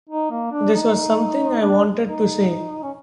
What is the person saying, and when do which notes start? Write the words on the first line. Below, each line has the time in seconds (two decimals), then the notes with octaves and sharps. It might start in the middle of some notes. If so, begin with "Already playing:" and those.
This was something I wanted to say.
0.09 D#4
0.31 A#3
0.52 D4
0.74 D#4
1.61 D4
2.04 D#4
2.83 C#4